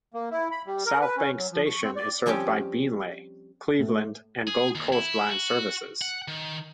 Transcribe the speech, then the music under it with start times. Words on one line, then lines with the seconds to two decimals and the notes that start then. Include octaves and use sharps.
South Bank station is served by Beenleigh, Cleveland and Gold Coast line services.
0.14 A#3
0.31 E4
0.51 B5
0.67 G3
0.86 A#4
1.01 B4
1.17 C#4
1.36 F#3
1.52 F3
1.66 C#6
1.83 C4
1.96 D5
2.26 F3 G3 C4 C#4 G4
3.79 A2
4.47 G#4
4.75 D#2
4.92 E4
5.31 F#4
6.02 F#5
6.28 D#3